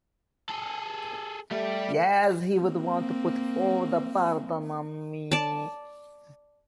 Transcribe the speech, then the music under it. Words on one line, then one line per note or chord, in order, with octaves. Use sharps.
Yes, he would want to put all the burden on me.
G#4 A4
G3 A3 G4
A#3 C4
D5 A5